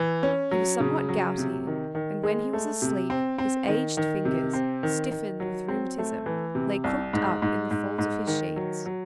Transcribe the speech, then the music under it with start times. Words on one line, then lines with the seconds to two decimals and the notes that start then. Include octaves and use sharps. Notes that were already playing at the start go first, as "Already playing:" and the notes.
He was somewhat gouty, and when he was asleep, his aged fingers, stiffened with rheumatism, lay crooked up in the folds of his sheets.
Already playing: E3
0.23 C#4
0.51 F#3
0.80 C#3
1.09 F#3
1.38 C3
1.67 D#3
1.95 D#3
2.23 G#3
2.53 A3
2.82 C3
3.10 C4
3.38 C4
3.68 D#3
3.97 D#3
4.25 C3
4.53 C4
4.83 D#3
5.11 D#3
5.40 F#3
5.68 C4
5.98 A3
6.26 E3
6.55 C3
6.84 C2
7.13 G#2
7.42 G#2
7.71 G#2
7.98 G#2
8.27 D#3
8.56 F#3
8.86 F#3